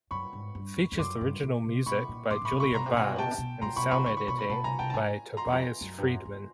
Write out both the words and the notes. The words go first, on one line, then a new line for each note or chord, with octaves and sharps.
It features original music by Julia Barnes and sound editing by Tobias Friedman.
F#2 B5 C#6
G#2
G2
F2
F2
F#2 C6 D6
G2
A#2
C3
B2 B5 C#6
A#2
A#2 C6 D6
A2
B5 C#6
C3
B2 B5 C#6
C3
B2 A#5 C6
C3
B2
C3 F#5 G#5
B2
C3 G5 A5
B2
C3
B2
A#2 A#5 C6
B2 B5 C#6
C3 B5 C#6
C#3 B5 C#6
B5 C#6
B2 B5 C#6
B5 C#6
B2 A5 B5
C3 G#5 A#5
C3 G5 A5
A5
G#2 G#5 A#5
A#5 C6
E2
F2
F#2
G2
F#2
E2